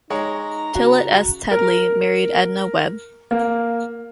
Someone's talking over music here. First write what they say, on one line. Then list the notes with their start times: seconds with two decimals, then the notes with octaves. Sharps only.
Tillit S. Teddlie married Edna Webb.
0.10 G#3 D#4 C#5 A#5
0.75 C#3 F#4
1.51 A#4
3.31 A#3